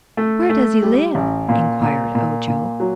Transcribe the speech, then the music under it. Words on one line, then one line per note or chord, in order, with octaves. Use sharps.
"Where does he live?" inquired Ojo.
A3
A3
G3
A1
A#2
A#2
A#2
A#2
F#3